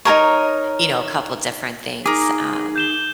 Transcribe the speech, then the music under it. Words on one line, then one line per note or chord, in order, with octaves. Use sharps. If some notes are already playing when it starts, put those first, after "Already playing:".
you know, a couple different things. Um
D#4 G#4 A#4 C#5
A#3 D#4 G#4 D6
G6 E7 G7